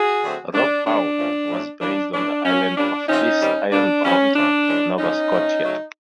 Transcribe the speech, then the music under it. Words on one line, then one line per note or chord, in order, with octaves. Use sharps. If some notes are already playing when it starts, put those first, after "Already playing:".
"Rockbound" was based on the island of East Ironbound, Nova Scotia.
Already playing: F#4 G#4
D3 F#3 A3 C4
D#3 F#3 A3 D4
C3 D#3 G#3 B3 D4
A#2 F3 A3 C#4
A2 F#3 A3 C#4
E3 G3 A#3 C#4 D4
A2 E3 A3 C#4 D4
B2 F#3 A#3 C#4
A#2 G3 A#3 C#4 D4
C#3 F3 A3 C4 C#4 D#4
D#3 G3 C4
B2 G3 A#3 D4
E3 G3 C4 C#4
D3 F3 A3 C#4 D4
E3 G#3 C#4
D3 F3 G#3 C#4 D#4
A2 F3 A3
C#3 F#3 A3 C#4